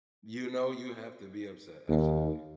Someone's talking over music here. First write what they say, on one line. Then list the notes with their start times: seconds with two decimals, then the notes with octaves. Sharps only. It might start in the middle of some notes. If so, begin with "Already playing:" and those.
You know, you have to be upset, absolutely.
1.89 D#2